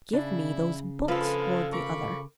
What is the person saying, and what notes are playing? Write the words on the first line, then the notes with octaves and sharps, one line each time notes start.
"Give me those books!" roared the other.
C#3 D4 E4
D3 F3 G#3 F4 A4 B4 F5 B5
A#4 B5 C#6 D6